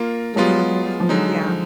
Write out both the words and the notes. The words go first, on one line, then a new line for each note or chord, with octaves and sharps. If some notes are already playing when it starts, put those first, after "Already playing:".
Mhm, yeah.
Already playing: A#3 F4 A#4
F#3 G#3 B3 F4
F3
D3 F#3 G#3 D#4
F3